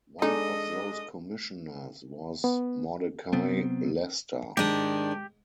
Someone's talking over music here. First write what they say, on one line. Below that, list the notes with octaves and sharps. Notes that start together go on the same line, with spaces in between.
One of those commissioners was Mordecai Lester.
G#3 D4 D#4 G#4 A4 D#5
B3
C3 F#3 B3 C4
G#2 D#3 D4 G4 D#6